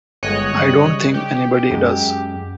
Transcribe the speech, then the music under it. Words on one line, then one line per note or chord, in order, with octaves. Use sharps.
I don't think anybody does.
G1 G#3 C#5 D#5 F#6
C#3 G3
G4
F#2 G#3